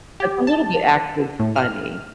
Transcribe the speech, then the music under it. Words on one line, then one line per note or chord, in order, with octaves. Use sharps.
That's a little bit actually funny.
G4
A5
A2
F6